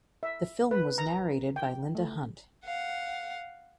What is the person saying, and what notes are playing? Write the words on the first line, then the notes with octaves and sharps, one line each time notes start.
The film was narrated by Linda Hunt.
E5
B4
A#5
G5
A3
F5 F#5